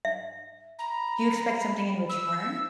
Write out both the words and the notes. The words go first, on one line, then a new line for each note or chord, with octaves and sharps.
Do you expect something in return?
E5
A#5 B5
E6